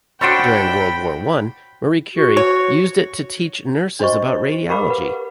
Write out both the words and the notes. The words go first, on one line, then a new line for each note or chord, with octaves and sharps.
During World War One, Marie Curie used it to teach nurses about radiology.
D4 F#4 A4 C5 C#5 G5 B5
F#4
C#5
D4 F#4 C5 D#5 C#6
G4 A#4 F5 B5 D6
B4 F#5